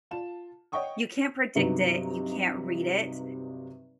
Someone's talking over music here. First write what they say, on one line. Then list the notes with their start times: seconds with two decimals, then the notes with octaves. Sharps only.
you can't predict it, you can't read it,
0.11 F4 A5 E7
0.72 C#5 D#5 F#5 G5 C#6 D#6
1.55 G2 C3 F#3 B3 D#4